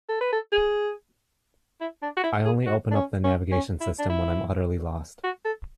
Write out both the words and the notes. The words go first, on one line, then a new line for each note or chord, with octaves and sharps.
I only open up the navigation system when I'm utterly lost.
A4
B4
A4
G#4
E4
D4
F#4
E4
G#4
F#4
D4
C#4
C#4
C#4
E4
D4
E4
F#4
A4